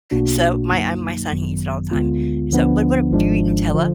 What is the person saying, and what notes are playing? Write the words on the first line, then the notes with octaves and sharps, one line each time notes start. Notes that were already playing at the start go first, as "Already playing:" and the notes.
So, my I my son, he eats it all the time. So, but what ab do you eat Nutella?
B1 B2 A#3 D4 F#4
F#2 D3 F#3 A#3 D#4
G#1 F#2 D#3 F#3 B3
D2 D3 G#3 B3 F4
D2 D3 F3 B3 D4
G#1 G#2 F3 G#3 D4
D3 F3